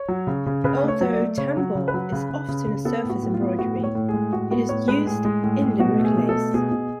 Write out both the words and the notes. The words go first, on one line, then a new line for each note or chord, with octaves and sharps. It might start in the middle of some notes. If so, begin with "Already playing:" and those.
Although tambour is often a surface embroidery, it is used in Limerick lace.
Already playing: C#5
F#3
C#3
C#3
C#3 B4
A3 C#5
F#3
D5
A3
C#3 C#5
F#3
C#3
B4
F#3
C#3
C#3
C#3
C#3
B3 A4
A2
F#4
A2
F4
B3
A2 F#4
A2
C#5
A2
G#4
G#3
A2 F#4
B3 F#4
A2 C#5
G#3 B4
A2 G#4
G#3
A2
A2
B2 F#4
A3
G#4
B2
A4
A3
B2 G#4
B2